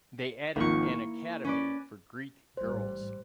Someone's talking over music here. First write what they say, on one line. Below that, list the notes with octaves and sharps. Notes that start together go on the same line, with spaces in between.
They added an academy for Greek girls.
G#1 D#3 F3 A#3 C#6
E4
C#4 B4 D5
A1 G#2 G3 C5